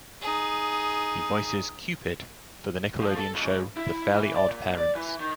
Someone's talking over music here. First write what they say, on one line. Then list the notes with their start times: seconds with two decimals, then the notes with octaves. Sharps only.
He voices Cupid for the Nickelodeon show "The Fairly OddParents".
0.21 D#4 G#4
3.01 F3
3.17 A4
3.34 C#2
3.77 E4
4.13 E3
4.36 D5
4.49 A#2
4.78 D5
4.95 E3
5.20 D#3